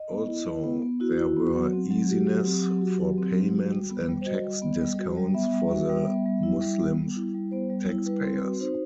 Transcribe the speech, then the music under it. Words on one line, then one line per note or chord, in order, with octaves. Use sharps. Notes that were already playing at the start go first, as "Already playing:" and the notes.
Also, there were easiness for payments and tax discounts for the Muslims taxpayers.
Already playing: D#5
B3
E4
E4
B3
B3
E4 F#4
E4
B3
F#3
C4
F#3
F#4 G4
F#3
C4
F#3
F#4
F#3
C4
F#3
F#4
G3
B3
G3
C5
F#4 D#5
G3
B3
G3
F#4
G3
B3 E5
G3
F#4
G3
B3
G3
E4
G3
B3
G3
E4
G3
B3 C5
G3
E4
G3 B4
C4
B4
F#4
D#4 C5